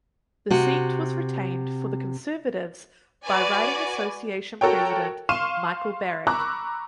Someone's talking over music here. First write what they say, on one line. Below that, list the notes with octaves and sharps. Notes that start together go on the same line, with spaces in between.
The seat was retained for the Conservatives by riding association president Michael Barrett.
C3 F#4
F#4 B4 D5 G#5
F#4 A4 A#4 C#5 G5
F5 C6 C#6 F6 D#7 E7
A#5 B5 C#6 D6 E6 F#6